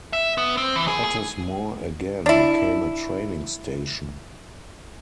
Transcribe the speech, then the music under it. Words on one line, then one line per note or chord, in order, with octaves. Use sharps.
Cottesmore again became a training station.
E5
B3
C4
E3
G#4
G#4
D4 E4